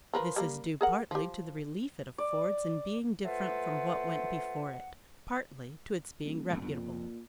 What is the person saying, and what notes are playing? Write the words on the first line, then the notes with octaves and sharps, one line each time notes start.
This is due partly to the relief it affords in being different from what went before it, partly to its being reputable.
F3 A#4 B4
G3 A3 A#3
G#4 A#4 F#5
F3 G4
D5
A3 F4 B4 C5 F#5
D#1
E1 F2 C3 A3
G1 F2
A#2